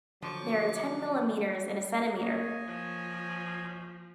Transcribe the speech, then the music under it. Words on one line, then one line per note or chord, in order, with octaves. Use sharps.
There are ten millimetres in a centimetre.
D3 F3 F#3 C#6 D6
A#3 C#5 D#5 G#5
F3